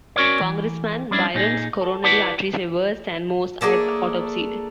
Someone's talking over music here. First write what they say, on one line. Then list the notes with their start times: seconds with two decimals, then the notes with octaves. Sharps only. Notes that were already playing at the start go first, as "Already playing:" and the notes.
"Congressman Byron's coronary arteries were worse than most I've autopsied."
0.16 C#4 F#4 A#4 C#5 D5
0.41 E3
1.11 G3 C#4 D4 E4
1.34 A#2 D#4 G#4
1.81 A4
2.04 E4 G4 B4 D5 F#5 A5
3.61 A3 A#3 D4 G#4